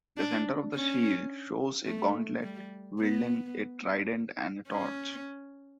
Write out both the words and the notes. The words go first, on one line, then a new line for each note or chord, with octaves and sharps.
The center of the shield shows a gauntlet wielding a trident and a torch.
D4
C#4
A3
G3
B3
C#4